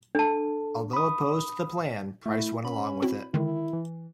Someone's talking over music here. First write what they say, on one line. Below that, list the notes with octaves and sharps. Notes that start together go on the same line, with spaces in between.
Although opposed to the plan, Price went along with it.
D4 A4 A5
B5 D#6
A3 E4
C#4 B5
C4 E4 F#4
D3 D#3 G#3 E4
E3